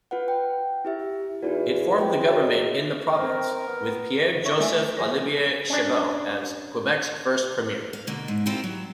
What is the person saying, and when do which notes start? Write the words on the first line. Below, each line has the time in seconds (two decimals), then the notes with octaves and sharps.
It formed the government in the province, with Pierre-Joseph-Olivier Chauveau as Quebec's first premier.
0.11 F4 B4 F#5
0.28 G5
0.85 E4 G4 E5
1.43 E2 D#4 F4 F#4
1.98 C5 G5
2.28 F#3 G#4 D#5 E5
3.16 C4 A#4
3.67 B3
4.44 E4 C#5 C#6
4.60 A3 E4 D5 E5 G#5
4.97 F3 G#4 C#5 A#6
5.70 C#4 D4
7.93 F5
8.07 B2 D3 A#3
8.28 G#2
8.46 A#3 C4 E4 F4 G4
8.64 F#3